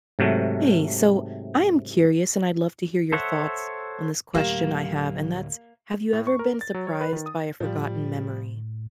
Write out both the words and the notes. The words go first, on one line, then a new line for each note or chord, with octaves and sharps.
Hey, so I am curious and I'd love to hear your thoughts on this question I have, and that's have you ever been surprised by a forgotten memory?
G#2 C3 F#3 A3
A4 C5 C#5 E5 F#5
D2 A2 F#3 A#3 G4 E7
A2
C#6
A#4
A6
F#3
C#5
B4
D#3
D#6
A2 F3 G3